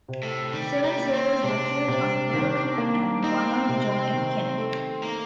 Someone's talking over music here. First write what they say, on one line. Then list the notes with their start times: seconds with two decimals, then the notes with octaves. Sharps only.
Seven sailors were killed on "Belknap" and one on "John F. Kennedy".
0.08 C3
0.23 A2
0.53 D#3 G3
0.83 G3
0.98 A#3
1.14 C4
1.43 C3 D4
1.88 C3
2.34 D#3
2.78 A#3
3.23 C4 D#4
3.69 C3
4.13 D#3
4.58 A3
5.03 A#3 D#4